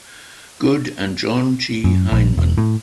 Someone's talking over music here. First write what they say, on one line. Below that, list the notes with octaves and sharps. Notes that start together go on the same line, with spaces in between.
Good and John G. Heimann.
F#2
A#1
E1
A2